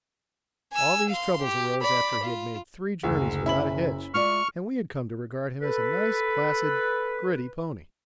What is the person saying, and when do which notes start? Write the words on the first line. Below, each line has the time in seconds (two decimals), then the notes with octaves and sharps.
All these troubles arose after he had made three journeys without a hitch and we had come to regard him as a nice, placid, gritty pony.
0.73 G#5 E6
1.09 F5 C6
1.42 G4
1.82 D5 B5
2.23 F4
3.03 F#1 D2
3.46 C#4 E4 E5 B5 F#7
4.14 G#3 F4 D5 C#6 F6
5.62 A4 B4